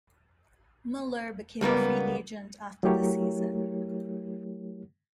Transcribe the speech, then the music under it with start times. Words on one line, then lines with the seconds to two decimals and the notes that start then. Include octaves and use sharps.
Moeller became a free agent after the season.
1.61 C#2 G3 A#3 B3
2.83 F#3 A3 E4 G4 A#4 C#5